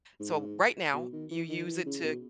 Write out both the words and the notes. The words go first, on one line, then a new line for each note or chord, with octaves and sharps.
so right now you use it to"
G#2
B2
D#3
E3
D#3
E3
C#3
B2